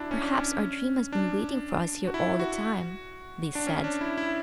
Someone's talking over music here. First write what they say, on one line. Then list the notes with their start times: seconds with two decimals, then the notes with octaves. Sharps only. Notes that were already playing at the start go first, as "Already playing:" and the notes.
"Perhaps our dream has been waiting for us here all the time," they said.
Already playing: D4 E4 F#4
0.11 C#4
0.23 D4
0.37 C#4
1.12 D4
2.07 F#4
2.14 E4
2.40 F#4
3.55 D4
3.67 C#4
3.84 D4
4.01 E4
4.18 E4